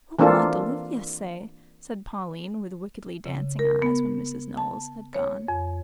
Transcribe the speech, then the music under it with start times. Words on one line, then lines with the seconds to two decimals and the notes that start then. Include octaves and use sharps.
"What will Aunt Olivia say!" said Pauline with wickedly dancing eyes when Mrs. Knowles had gone.
0.19 E3 A#3 C4 D4 F4 A4
3.26 C#3
3.59 A#4
3.82 B3
4.57 A5
5.14 C#5
5.48 F2